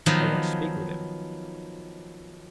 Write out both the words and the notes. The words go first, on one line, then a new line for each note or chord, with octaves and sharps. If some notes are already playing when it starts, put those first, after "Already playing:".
"I want to speak with him."
D#3 F3 F#3 B3